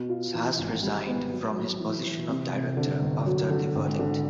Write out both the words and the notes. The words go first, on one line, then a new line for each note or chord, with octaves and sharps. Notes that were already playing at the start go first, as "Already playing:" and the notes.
Sas resigned from his position of director after the verdict.
Already playing: B2
F4
E3
G#1
G3
B3
F#3
F#3
E3
E3
C3
C3
D3
G1
F#3
D3
G#1
D3